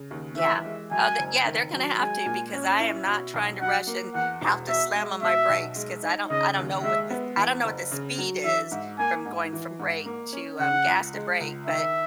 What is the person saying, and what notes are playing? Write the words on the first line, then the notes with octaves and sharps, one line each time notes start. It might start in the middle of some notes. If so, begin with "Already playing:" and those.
Yeah, uh, the yeah, they're gonna have to because I am not trying to rush and have to slam on my brakes 'cause I don't I don't know what this I don't know what the speed is from going from brake to, um, gas to brake, but
Already playing: C#3
D#2
E3 E5
G#3
F#2 G#5
F#1
D#3
F#3
G#3 G#5
A#2
C#4
E4
B2
B1
F#3 F#5
A#3
E2 F#5
E1
B2 E5
G#3
B2 E5
B1
G#3
D#4
C#3 D#5
D#2
G#3 E5
B3
E2
F#1
C#3
F#3
E3 E5
G#2
A#3 G#5
G#2
E3
G#2
A#3
C#4
C#3 F#5
C#2
G#3
C#2
D#3 E5